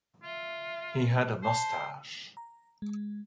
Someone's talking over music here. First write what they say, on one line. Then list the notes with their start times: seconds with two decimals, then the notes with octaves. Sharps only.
He had a mustache.
0.23 F4 E5
1.43 C5 A5
2.37 A#5
2.82 G#3